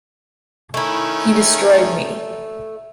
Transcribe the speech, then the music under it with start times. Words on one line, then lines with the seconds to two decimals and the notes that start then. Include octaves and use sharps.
He destroyed me.
0.74 D#3 A3 C#4 E4